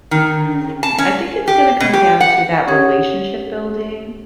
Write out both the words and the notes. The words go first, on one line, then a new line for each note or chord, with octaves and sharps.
Mm, I think it's gonna come down to that relationship-building.
D#3
A5
C#4
G4
B2
G4
F#5
C#4 G4 C#5 F#5 D#6 G#6